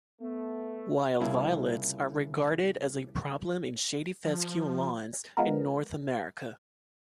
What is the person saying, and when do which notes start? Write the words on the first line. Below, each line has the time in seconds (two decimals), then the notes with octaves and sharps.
Wild violets are regarded as a problem in shady fescue lawns in North America.
0.20 A3 B3
1.20 C2 C#3 A#3 E4 F4
4.26 F3
5.37 F3 G#3 B3 A#4